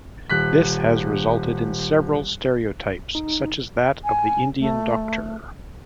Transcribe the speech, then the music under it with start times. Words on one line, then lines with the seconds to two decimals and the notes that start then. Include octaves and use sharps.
This has resulted in several stereotypes such as that of the "Indian Doctor".
0.30 D#1 F#6 B6
3.15 D#4
4.04 G#5
4.59 A3